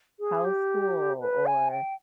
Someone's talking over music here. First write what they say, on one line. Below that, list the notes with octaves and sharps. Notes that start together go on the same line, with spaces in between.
"How's school?" or
G#4
G4
B4
G#5
G5